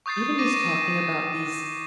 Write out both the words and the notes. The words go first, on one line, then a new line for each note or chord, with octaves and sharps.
Even just talking about these
C#6 D#6 G6 A6 C7
C#6 D6 A#6 D#7